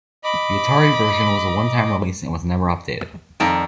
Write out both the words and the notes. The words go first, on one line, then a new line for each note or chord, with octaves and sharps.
The Atari version was a one time release and was never updated.
D#5 B5 D6
F2 D#3 D5 A5 A#5